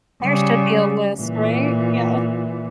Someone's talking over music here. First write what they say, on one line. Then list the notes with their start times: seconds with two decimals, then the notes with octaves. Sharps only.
There should be a list, right? Yeah.
0.23 C#3 G3
1.18 A#2 E3